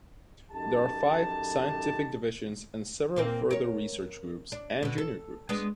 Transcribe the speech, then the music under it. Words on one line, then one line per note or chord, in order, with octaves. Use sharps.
There are five scientific divisions and several further research groups and junior groups.
F#2 D#4 G4 A4 A5
A#2 A#3 C4
A#4 C#5
D4
B2 D3
A4
G#3 B3 D4